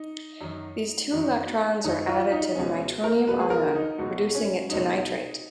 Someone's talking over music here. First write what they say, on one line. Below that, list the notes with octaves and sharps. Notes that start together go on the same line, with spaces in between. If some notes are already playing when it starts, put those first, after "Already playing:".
These two electrons are added to the nitronium ion, reducing it to nitrite.
Already playing: D#4
F#2 D#3 F#3
F#2 D#3 F#3
F#2 D#3 F#3 D#4
F4
D#4
C#2 B2 F#3 C#4
A#4
C#2 B2 F#3 B4
G#4
A#4
D#4
C#2 B2 F#3 F#4
C#4
C#2 B2 F#3 D#4